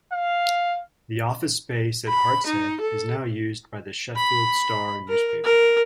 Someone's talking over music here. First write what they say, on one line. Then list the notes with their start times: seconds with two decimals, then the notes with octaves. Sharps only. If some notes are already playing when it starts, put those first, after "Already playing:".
The office space at Hartshead is now used by the "Sheffield Star" newspaper.
0.12 F5
2.09 B5
2.47 D#4
2.82 A4
4.16 B5
5.08 A#4
5.44 A#4